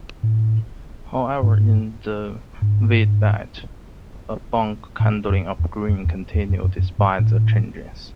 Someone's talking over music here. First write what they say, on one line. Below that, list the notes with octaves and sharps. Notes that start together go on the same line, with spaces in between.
However, in the wheatbelt, bulk handling of grain continued despite the changes.
A2
G#2
G#2
A2
F#2
E2
F#2
E2
E2
F#2
F#2
F#2
G#2
A2